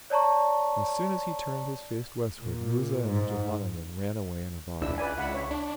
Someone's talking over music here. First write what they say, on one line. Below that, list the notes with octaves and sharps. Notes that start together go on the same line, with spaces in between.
As soon as he turned his face westward, Musa and the Johanna men ran away in a body.
C#5 D5 A5 A#5 C#6
A#2
G#2
C#2 D4 E4 E6
B4 D5 G#5
C#2 E5 F#5 B5
C#5
D4